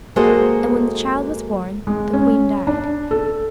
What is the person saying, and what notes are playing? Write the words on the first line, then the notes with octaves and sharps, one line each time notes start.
And when the child was born, the queen died.
G#3 A#3 F#4 A4 C5 D#5
G#3
C#4
D4
A4